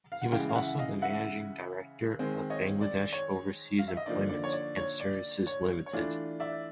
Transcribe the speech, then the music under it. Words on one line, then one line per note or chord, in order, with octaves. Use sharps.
He was also the Managing Director of Bangladesh Overseas Employment and Services Limited.
F5
F#5
C#3 E3 G#3 F5 G5
F5
E5 F#5
D#5 F5
E5 F#5
D#3 G#3 C4
C#5 D#5
D5
C#5
F5
E5
D#5
D3 F3 A#3 D#4 D5
D5
C#5
D5
C#5
D5
C#5
C#5
E3 A3 D4 F4 D5
D5 E5